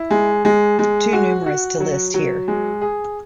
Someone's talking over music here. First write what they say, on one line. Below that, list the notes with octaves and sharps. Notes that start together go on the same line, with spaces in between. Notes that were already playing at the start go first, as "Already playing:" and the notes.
Too numerous to list here.
Already playing: E4
G#3
G#3
G#3
F#4
F#4
F#3
F#3
G#3
G#4